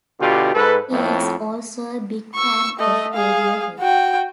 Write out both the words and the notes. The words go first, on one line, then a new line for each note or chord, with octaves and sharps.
He is also a big fan of Radiohead.
B2 D3 F4 G4
G#2 A4 B4
F2 A2
C#6 E6
A3 D#5
G#4 F5
F#4 G5